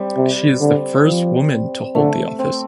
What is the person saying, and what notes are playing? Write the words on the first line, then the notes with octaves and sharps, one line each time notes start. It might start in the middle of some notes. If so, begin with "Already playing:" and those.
She is the first woman to hold the office.
Already playing: G3 C4
C3
D3
F3
D3 A3
C4